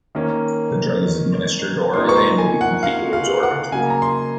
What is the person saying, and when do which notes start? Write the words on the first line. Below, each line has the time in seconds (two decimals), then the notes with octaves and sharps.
The drug is administered orally and will be completely absorbed.
0.15 D#3 A#3 C#4
1.93 C3 F3 A#3 D#4 C6
2.09 C#6
2.16 C6
2.38 G#5
2.61 F#5
2.83 F5
3.13 F5
3.43 F#5
3.72 C#3 F#3 A#3 G#5
3.90 A#5
4.02 C6